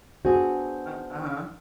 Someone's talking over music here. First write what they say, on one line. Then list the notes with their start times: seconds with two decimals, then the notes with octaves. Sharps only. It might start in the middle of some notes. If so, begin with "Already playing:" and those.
Uh, uh-huh.
0.25 B3 D4 F#4 G#4 C5